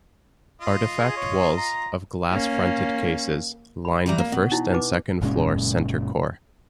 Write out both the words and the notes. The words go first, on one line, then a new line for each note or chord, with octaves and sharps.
Artifact walls, of glass-fronted cases, line the first and second floor center core.
F4 D#5
G#4
C#5
A#5
A#3 C#4
B5
E3 G3 A#5
A#3
B2
D#4 E4
D#4 B4 D6
F#1 A#2 G#3 C#4